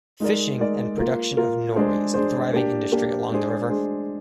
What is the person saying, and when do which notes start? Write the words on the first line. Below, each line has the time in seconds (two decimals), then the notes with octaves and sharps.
Fishing and production of nori is a thriving industry along the river.
0.20 G#3 D#4 A#4 D5
0.59 G#3 D#4 A#4 D5
0.98 A#3 F4 A#4
1.37 A#3 F4 A#4
1.76 G#3 D4 G#4 C5
2.14 G#3 D4 G#4 C5
2.53 A#3 D4 G4
2.92 A#3 D4 G4
3.31 G#3 D4 G#4 C5
3.69 G#3 D4 G#4 C5